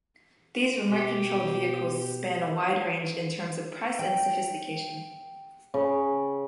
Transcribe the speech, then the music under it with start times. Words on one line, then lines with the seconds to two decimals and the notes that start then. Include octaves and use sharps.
These remote controlled vehicles span a wide range in terms of price and sophistication.
0.88 B2 G4
3.99 G5
5.74 C#3